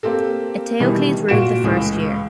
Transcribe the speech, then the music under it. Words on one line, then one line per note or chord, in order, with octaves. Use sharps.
Eteocles ruled the first year.
A#3 C4 G4 A4
B2 D#3 E3 G3 E4
A#2 F#4 D7 E7
C#2 A2 E3 G#3